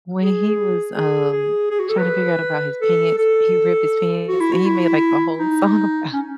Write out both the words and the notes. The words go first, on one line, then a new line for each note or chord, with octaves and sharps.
when he was, um, trying to figure out about his pants he ripped his pants, and he made, like, a whole song about
G#4
G#4
G#4
G#4
F#4
A4
B4
A4
A4
F#4
E4
F#4
E4
D#4
C#4